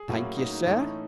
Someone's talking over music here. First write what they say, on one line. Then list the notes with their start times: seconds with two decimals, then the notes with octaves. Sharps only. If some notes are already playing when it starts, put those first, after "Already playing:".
"Thank you, sir."
Already playing: G#4
0.09 A2 F#3 A#3 C#4
0.37 D#4
0.52 D#4
0.65 A2 E3 A3 C#4 D#4